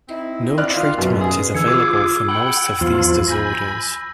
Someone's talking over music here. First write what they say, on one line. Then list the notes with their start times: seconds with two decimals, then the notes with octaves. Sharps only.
No treatment is available for most of these disorders.
0.09 C4 D#4 E4
0.58 D5 F6 F#6
0.74 D#3 F4
0.98 F#2 B2
1.19 B2 G#3 G#4
1.55 D3 E3 E6 G#6 C#7
1.66 F4 G#4 D6
2.28 F#5 G5 B5 F#7
2.81 E2 F3 F4
3.28 G#5 B5 G6 A#6